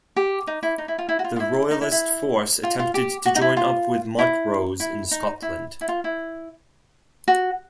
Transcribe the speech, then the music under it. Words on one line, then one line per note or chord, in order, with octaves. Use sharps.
The Royalist force attempted to join up with Montrose in Scotland.
G4
D#4
E4
D#4
E4
F4
E4
F#4
F4
F4
E4
D#4
E4
E4
F4
F4
G4
F#4
D#4
E4
F4
E4
E4
D#4
E4
E4
F4
E4
F#4